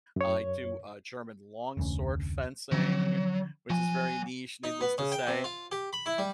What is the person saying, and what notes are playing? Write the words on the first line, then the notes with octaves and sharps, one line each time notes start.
I do, uh, German longsword fencing, which is very niche, needless to say,
F#2 C#5
F1 D2 C#4
D3 F3 F#3 C#4
F3 F#3 G#5
D#4
B3
C#3
G5
C3
F4
G4
B5
E4
G3